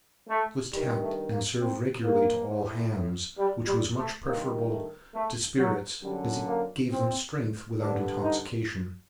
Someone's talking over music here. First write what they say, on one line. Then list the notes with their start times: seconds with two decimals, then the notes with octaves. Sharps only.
This was tapped, and served regularly to all hands, which was much preferable to spirits, as it gave them strength without intoxication.
0.28 A3
0.71 G2 D#3 G3
1.01 A3
1.30 A#3
1.60 C4
2.03 A#3
2.48 A2
3.37 G3
3.66 G3
3.96 A3
4.24 G2 D#3 A#3
4.69 A3
5.14 A3
5.58 F#3
6.01 F#2 D3 G3
6.46 A#3
6.89 C4
7.79 G2 D3 D4
8.22 D#4